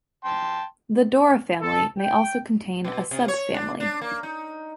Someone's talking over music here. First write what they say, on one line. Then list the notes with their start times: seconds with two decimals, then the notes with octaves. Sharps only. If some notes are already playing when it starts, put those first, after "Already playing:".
The Dora family may also contain a subfamily.
0.25 G5 A5 C6
1.61 A4
1.99 G5
2.84 B2
3.11 C3
3.28 C#5
3.54 D4
3.80 D4
4.02 A#3
4.23 D#4